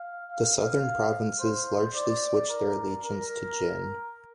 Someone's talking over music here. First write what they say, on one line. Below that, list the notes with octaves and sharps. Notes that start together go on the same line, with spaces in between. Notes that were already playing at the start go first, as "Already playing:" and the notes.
The southern provinces largely switched their allegiance to Jin.
Already playing: F5
F5
C5
D5
A#4
A#4